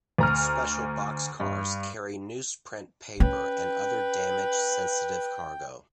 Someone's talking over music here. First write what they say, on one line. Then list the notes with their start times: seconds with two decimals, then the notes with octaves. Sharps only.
Special boxcars carry newsprint paper and other damage-sensitive cargo.
0.18 D2 A#5 F6
1.40 G2
3.20 C#4 B4 G5